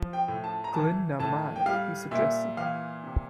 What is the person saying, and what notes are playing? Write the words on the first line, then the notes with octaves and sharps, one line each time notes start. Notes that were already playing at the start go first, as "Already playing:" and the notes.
"Glinda might," he suggested.
Already playing: F3
G5
A2
A5
A#5
E3 A5
A2 A5
G5
G3 F5
A#2 E5
E3 F5
C3